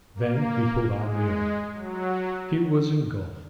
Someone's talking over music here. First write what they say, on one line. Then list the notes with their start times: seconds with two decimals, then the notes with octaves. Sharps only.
Then he pulled on the other: he was engulfed.
0.15 A#3
0.95 G#3
1.73 F#3